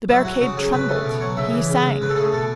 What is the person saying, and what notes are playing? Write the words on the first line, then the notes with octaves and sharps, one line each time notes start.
The barricade trembled; he sang.
F#3 E4
F#3 F#4
C#3 F#4
F#3 G#4
C#3 B4
A3
B2
F#3 C#5
C#3 E5
E3
C#3
G#3
C#3 B4
A4
A3 G#4
B2 A4